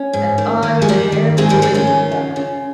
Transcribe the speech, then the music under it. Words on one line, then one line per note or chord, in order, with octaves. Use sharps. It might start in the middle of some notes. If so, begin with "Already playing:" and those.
And I had a hand in bringing it about.
Already playing: C#4
G#2
D#3
D#3
G#3
D#3 G3
D#3
G#2 G#3 C4
G3 A#3
D#3 G#3 C4
C#4 F4
C#3
C#3
C#3